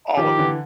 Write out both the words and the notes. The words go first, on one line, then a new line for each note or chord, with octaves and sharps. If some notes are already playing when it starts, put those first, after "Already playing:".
All of 'em.
D#3 F3 G4
D3 E3